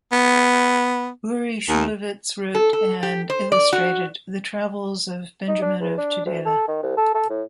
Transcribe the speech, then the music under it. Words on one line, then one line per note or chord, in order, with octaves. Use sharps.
Uri Shulevitz wrote and illustrated The Travels of Benjamin of Tudela.
B3
D#2
A4
A4
G4
C5
D5
F#4
D#4
D4
E2
D4
D2
A4
D#3
C2
A4
A4
A2